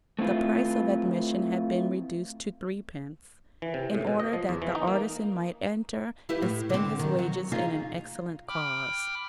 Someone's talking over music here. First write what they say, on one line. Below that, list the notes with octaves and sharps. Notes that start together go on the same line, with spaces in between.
The price of admission had been reduced to threepence, in order that the artisan might enter and spend his wages in an excellent cause.
A3 C4 E4 F4 B4
E3
C3
A2
B2
D#5
F3
E2
E3
D#4
A#3
E4 G4 B4
A2
D3 C4
D#3
F#3
D#4 F4 G#4
G5 B5 D6 F6